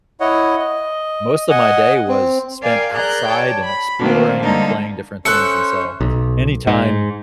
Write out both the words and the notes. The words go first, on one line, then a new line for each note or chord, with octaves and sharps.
most of my day was spent outside and exploring and playing different things, and so, anytime
E4 C#5 D#5 F#5
D#5
D#5 F#5 G#5
C4
A#4 D5 F5 G5 G#5
G#4 A#4 D5 A#5 F#6 G6
C#5 D5 G5 A5
B5
D#3 A3 A#3 C4 D4
D3 G3 G#3 A#3 D#4 A4
C#4 A4 C5 C#5 E5 G5 F#6 C#7
B1
G#2